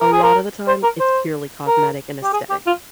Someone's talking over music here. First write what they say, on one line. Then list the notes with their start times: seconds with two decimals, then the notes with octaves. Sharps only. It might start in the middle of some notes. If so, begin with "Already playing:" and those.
a lotta the time it's purely cosmetic and aesthetic.
0.01 A#4
0.13 G#4
0.23 A#4
0.68 C5
0.83 A#4
1.00 C5
1.67 A#4
2.23 G4
2.33 G#4
2.50 G4
2.67 F4